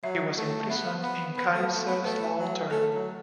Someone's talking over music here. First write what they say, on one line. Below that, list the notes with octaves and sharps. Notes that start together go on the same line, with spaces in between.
He was imprisoned in Kaiserslautern.
F#3 E5
A3
A3
B3 E5
B3
B3 B4
A3
A3
B3
A3 B4
F#3
A3 A4
F#3